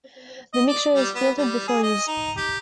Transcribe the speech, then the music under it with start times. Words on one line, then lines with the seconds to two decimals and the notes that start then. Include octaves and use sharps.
The mixture is filtered before use.
0.54 D#5
0.68 D5
0.95 G3
1.15 B3
1.38 G3
1.67 G#4
1.83 D#5
2.07 D#4
2.37 G4